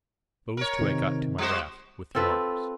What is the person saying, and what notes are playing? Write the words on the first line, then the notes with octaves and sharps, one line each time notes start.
Those two I got to my raft, with the arms.
A#4 C#5
C3 D#3
G3 F#4 C5
C4 F4 A4 B4